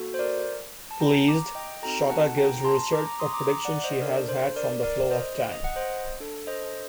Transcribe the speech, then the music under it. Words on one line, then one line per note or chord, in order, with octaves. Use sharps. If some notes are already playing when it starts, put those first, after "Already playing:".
Pleased, Shota gives Richard a prediction she has had from the flow of time.
Already playing: A#3 F#4 A4
C5
A#4 D5
A5
G5 A#5
A#5 D6
D#5 G5
C4 D#4 F#4 A4 G5 A#5
F#5 A5
G5 A#5
A#5
A5 C6
A#5 D6
A#5 D6
C6 D#6
A#5 D6
A#5 D6
D5 F#5
C5 D#5
D4 A4 A#4 D5
C5
A#4 D5
A#4 D5
C5 D#5
D#5
F#5
C5 D#5
D4 A4
C5 D#5